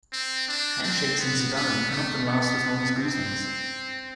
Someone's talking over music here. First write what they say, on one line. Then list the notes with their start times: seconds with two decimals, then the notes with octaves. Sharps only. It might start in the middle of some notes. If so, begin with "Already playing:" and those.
Handshakes in Sudan can often last as long as greetings.
0.13 C4
0.48 D4
0.83 C4
1.20 B3
1.55 B3
1.90 A3
2.25 B3
2.96 C4